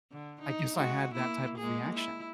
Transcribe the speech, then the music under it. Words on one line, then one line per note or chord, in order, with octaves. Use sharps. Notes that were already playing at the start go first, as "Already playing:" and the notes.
I guess I had that type of reaction.
D3
D#4
G#3 F#4
A#3 E4
G#3 A#3 G#4
E4